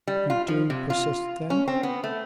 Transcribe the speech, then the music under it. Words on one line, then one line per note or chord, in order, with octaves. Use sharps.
"You do persist, then?"
G3
F4
F3
C3
F4
C#4
C4
B3
A3